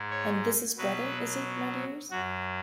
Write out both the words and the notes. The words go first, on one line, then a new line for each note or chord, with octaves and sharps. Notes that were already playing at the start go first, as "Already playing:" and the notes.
And this is brother, is it, my dears?
Already playing: G#2 G#3
C#5
B2 F#3 B4
F#2 F#3 F#4